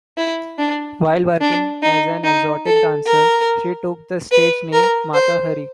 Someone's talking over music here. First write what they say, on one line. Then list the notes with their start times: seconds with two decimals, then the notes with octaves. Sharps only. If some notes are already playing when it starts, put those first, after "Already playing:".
While working as an exotic dancer, she took the stage name Mata Hari.
0.17 E4
0.58 D4
1.41 D4
1.83 D#4
2.24 D#4
2.66 A4
3.07 A#4
4.32 B4
4.73 A#4
5.13 C5